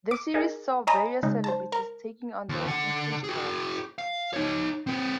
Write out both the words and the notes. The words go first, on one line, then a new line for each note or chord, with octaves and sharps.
The series saw various celebrities taking on their ancestors' jobs.
D6
D#4 G#4 A#4
C#5 D#5 G#5 A#5 B5 D#6
C#3 G#3 D#4
C5 A5
A#4
D#2
D3 F#5
F#4 G#4
F5
D#4 C#5
C4 B4